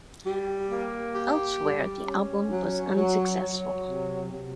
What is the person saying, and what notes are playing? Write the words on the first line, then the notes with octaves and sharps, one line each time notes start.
Elsewhere, the album was unsuccessful.
G3
A#3
G4
G3
C#4
F#3
F#3
F#3
C3
C3